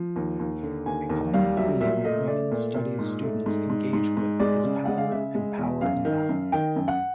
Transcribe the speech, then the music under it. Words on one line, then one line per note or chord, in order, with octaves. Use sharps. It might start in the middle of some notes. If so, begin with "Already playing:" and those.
A common theme Women's Studies students engage with is Power and Power Imbalance.
Already playing: F3
D#2
D#2
D3
D#2 G#5
D#2
G3 F5
F#3 E5
A#2 E5
A3 D#5
A3 D5
A#2
A#2
G#2
A3
G#2
G#2
G#2
G#2
G#3 D5
C#3
G#3 F#5
F5
C#3 E5
G#3
E2
F#2 F5
D#3
F#2
D#3 G5
F#2
F#5